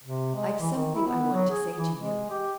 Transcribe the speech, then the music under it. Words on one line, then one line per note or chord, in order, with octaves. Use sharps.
"I've something I want to say to you."
C3
G#3
E3
D#3
E4
B3
F#3
G#4
E3
G#3
G4